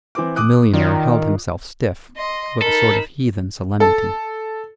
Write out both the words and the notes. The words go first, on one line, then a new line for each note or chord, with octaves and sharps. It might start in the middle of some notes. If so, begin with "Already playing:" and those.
The millionaire held himself stiff with a sort of heathen solemnity.
E3 C4 D6
D6 D#6 F#6
D#3 F4 D5
D#5 C6
D#4 A4 A#4 B5
A4